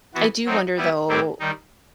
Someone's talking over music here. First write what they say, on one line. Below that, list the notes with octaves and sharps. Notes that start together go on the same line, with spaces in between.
I do wonder though
E3 B3 F#4 B4
F#3 C4 D#4
G3 B3 E4 B4
A2 G3 C4 E4 G4
D#3 G3 D#4